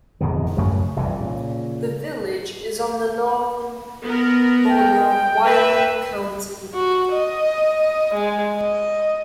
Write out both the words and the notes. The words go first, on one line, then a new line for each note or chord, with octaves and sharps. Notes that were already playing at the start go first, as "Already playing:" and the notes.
The village is on the northern border of Wyoming County.
D1 F2 B2 D#3
F#2 A2 C#3 F#3
F1 C2 F2 E3
A#2 C#3
B3 A#4
G5
B4 E5
F#4
D#5
G#3
D#5